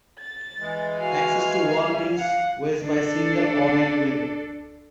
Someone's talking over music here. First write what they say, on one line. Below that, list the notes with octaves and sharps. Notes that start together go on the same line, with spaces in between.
Access to wall bins was by single ornate window.
A6
E3 G#3
F#4 F5 G#5
G3 E5
F5 F#5
D4 A4